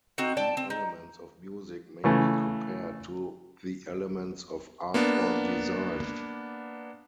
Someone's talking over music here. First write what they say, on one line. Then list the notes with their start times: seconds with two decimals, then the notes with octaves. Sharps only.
The elements of music may be compared to the elements of art or design.
0.18 C4 D#4 F#4
0.37 D5 G5 A5
0.57 C4
0.70 D#4
2.04 C#3 E3 A3
4.94 A#3 B3 D4